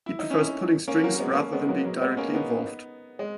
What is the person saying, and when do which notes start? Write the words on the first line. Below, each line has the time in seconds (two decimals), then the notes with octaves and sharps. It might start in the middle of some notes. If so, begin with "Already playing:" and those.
He prefers pulling strings rather than being directly involved.
0.06 E4
0.19 D#4
0.30 C#4 E4
0.88 A#3 C#4
1.04 F#3 A#3
1.14 A#3
1.20 G#3 B3
1.32 B3
1.36 A#3 C#4
1.53 G#3 B3
1.68 F#3 A#3
1.86 F#3 A#3
2.02 G#3 B3
2.17 A#3 C#4
2.34 B3 D#4
3.19 G#3